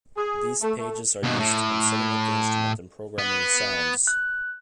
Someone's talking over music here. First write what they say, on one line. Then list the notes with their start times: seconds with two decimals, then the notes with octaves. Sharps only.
These pages are used when setting up the instrument and programming sounds.
0.17 G#4
0.62 A3
0.79 A3
1.24 D#2 B2
1.40 A2
3.19 B3
4.07 F#6